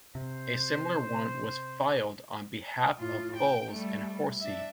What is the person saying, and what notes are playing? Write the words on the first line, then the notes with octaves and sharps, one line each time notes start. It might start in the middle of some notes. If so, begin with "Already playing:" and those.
A similar one was filed on behalf of Bowles and Horsey.
C3 C5
A2 F4
G5
G3 A3
D4 E5